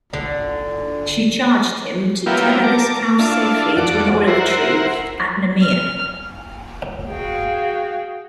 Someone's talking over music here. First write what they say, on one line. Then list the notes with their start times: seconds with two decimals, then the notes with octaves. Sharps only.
She charged him to "Tether this cow safely to an olive-tree at Nemea".
0.13 D3
2.26 F#3 A#3 B3 E4 F4 G4
2.64 A#4 A5 D6
3.19 D4 E4 F4 A5
3.77 F2 F#4 A4 D5
4.27 E4 A#4 C5 F#5
5.62 F6
7.08 F#4 G#4 F5 G5